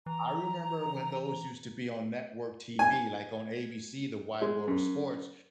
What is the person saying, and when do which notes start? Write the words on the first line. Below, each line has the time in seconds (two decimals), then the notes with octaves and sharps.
I remember when those used to be on network TV, like, on ABC, the Wide World of Sports,
0.06 E3 A#5
2.79 G#5
4.42 G#3
4.68 F#2